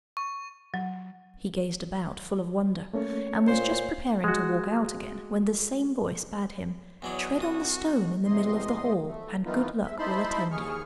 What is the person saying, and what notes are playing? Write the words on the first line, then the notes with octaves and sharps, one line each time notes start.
He gazed about, full of wonder, and was just preparing to walk out again when the same voice bade him: 'Tread on the stone in the middle of the hall, and good luck will attend you.'
C#6
F#3
A3 A#3 C#4 C#5
A#2 C5
G#3 F#4
E2 F#3 D4 C#5 D#5
C2 F#4 D#6
E2 C3 D#5 C6
A3
D#3 E3 B3 D#4 F4
G#3 E5
D#4 E4 C5 A5 B5 C6
D#2 G#4 C#6 F6